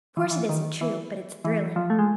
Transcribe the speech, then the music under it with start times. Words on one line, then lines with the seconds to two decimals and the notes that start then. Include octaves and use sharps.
"Of course it isn't true, but it's thrilling."
0.17 E3
0.24 F3
0.31 E3
0.49 D#3
0.81 E3
1.44 E3
1.76 F3
1.90 A3
1.99 G#3